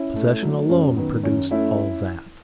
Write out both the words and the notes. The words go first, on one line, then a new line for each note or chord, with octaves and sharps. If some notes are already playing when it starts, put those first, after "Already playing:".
Possession alone produced all that.
Already playing: C#4 E4
A3
F#3
F#2 C#4
D#3 B3
F#2 C#4
A3 C#4 E4